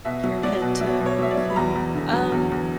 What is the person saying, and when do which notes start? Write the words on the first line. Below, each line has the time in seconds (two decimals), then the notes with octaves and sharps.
your head to clear. Um
0.05 B2 E5
0.24 F#3
0.43 F#3 D5
0.62 B2
0.80 F#3 E5
1.00 B2
1.06 C#5
1.19 F#3 E5
1.31 D5
1.37 F#3
1.50 B5
1.56 E2 A#5
1.76 E2
1.95 D3
2.13 F#3
2.32 E2
2.52 E2